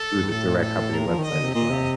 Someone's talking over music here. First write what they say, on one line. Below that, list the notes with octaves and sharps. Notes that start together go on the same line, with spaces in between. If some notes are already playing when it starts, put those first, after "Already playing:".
through the direct company website as well.
Already playing: A4
G2
A2 A4
A4
A#4
F3
D#3
D#5
D3
C3
A#2 D#5
C3